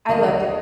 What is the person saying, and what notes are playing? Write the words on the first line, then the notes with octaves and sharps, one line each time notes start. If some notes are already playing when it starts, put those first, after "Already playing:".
I loved it
D#2 D3 F#3 A#3 D#5
D5
D#5